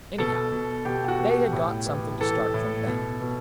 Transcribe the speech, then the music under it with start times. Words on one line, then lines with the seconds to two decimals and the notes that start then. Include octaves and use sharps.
Anyhow, they had got something to start from then.
0.18 B2 A4
0.52 B2
0.85 B2 G4
1.04 G4
1.08 F#4
1.20 B2
1.30 G4
1.53 A2
1.86 E3
2.20 E3 A4
2.54 A2
2.87 B2
3.21 B2